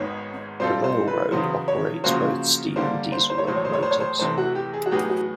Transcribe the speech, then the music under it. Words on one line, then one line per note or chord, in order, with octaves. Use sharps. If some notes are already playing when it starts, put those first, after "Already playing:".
The railroad operates both steam and diesel locomotives.
Already playing: G#1 G#2 D#3 G#3 B3 C#5
B2 G3 C4 F4 A4 C5
C5
B4
E2 C#3 F#3 B3 C5
C#5
C#3 F3 A#3 C#4 F#4 C5
D3 G3 A#3 C5
C5
C5
C#5
A1 A2 F#3 C5
C#5
C5
C#5
C5
C#5
C5
E2 C3 E3 A3 C5
F#4
G4
G#4
F#4
A2 F#3 B3 D#4 G4 G#4
F#4